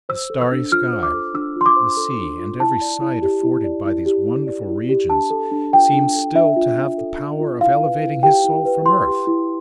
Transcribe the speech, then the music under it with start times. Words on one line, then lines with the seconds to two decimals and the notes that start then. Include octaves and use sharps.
The starry sky, the sea, and every sight afforded by these wonderful regions seem still to have the power of elevating his soul from earth.
0.09 C5 E6
0.30 A4
0.41 E6
0.52 D4
0.72 F4 F6
0.93 C5
1.03 D6
1.14 A4
1.34 D4 E6
1.56 F4 C6
1.66 D6
1.76 C5
1.97 A4
2.19 D4
2.39 F4
2.60 E4 A5
2.81 D5
3.01 E4
3.22 G4
3.43 E4
3.64 D5
3.85 E4
4.06 G4
4.26 E4
4.47 D5
4.69 E4
4.89 G4
5.10 D4 A5
5.30 A4
5.51 D4
5.73 F4 G5
5.93 D4
6.15 A4
6.35 D4 E5
6.56 F4
6.76 D4
6.98 A4
7.18 D4
7.40 F4
7.61 E4 F5
7.82 B4
8.02 E4
8.23 G4 G5
8.45 E4
8.65 B4
8.85 E4 C6
9.07 G4
9.27 E4